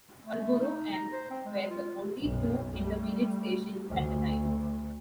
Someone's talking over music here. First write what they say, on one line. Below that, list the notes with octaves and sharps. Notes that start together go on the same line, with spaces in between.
Pulborough and were the only two intermediate stations at the time.
A3
D#4
A#5
C5
C4
G#3
F4
B1 F#2
G3 A3
D2